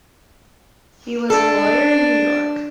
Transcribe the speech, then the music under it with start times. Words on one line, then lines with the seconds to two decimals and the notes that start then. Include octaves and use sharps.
He was a lawyer in New York.
1.30 D4 A4